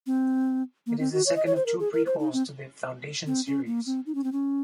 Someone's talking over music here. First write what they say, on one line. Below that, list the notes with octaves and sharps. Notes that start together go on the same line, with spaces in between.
It is the second of two prequels to the "Foundation" Series.
C4
A#3
C4
F#4
C#5
D#5
C#5
C5
A#4
G#4
A#4
C5
D#4
C4
C4
C#4
A#3
C4
D#4
C#4
C4
C#4